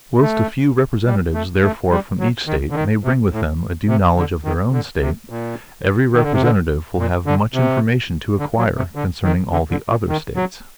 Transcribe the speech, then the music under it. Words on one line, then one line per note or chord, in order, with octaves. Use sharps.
Whilst a few representatives, therefore, from each State, may bring with them a due knowledge of their own State, every representative will have much information to acquire concerning all the other States.
A3
G3
A3
A3
G3
F#3
D#3
D3
D#3
C3
A2
C3
D3
D#3
D3
C3
A#2
D#3
D3
C3
D3
A#2
D3
C3
D3
F#3
C3
D3
D#3
D3
D3
A#2
D#3
F#3